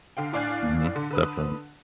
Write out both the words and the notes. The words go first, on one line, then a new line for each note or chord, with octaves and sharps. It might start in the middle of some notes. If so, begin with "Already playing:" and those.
Mhm. Definitely.
D3 F5 G5
A2 D4 D5 F5 G#5 F#6
D3
D3 B4 D#6